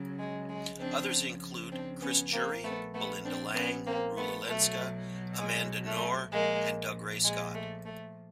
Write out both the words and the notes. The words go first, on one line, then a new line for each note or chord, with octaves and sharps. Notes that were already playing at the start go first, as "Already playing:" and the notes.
Others include Chris Jury, Belinda Lang, Rula Lenska, Amanda Noar and Dougray Scott.
Already playing: C#3 F#3
G#3
G#3
C#3 F3 C4 D4
C4 D4
B3 C#4
A#3 C4
A#2 F3 A3 B3
A3 B3
C4 D4
B3 C#4
A#3 C4
A3 B3
B2 F#3 A3
G#3
A3
A#2 F3 G#3 A#3
G#3
A3
A3